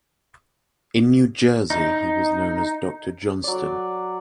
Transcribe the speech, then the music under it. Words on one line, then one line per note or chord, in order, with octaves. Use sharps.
In New Jersey he was known as Doctor Johnstone.
D#4
F#3 D5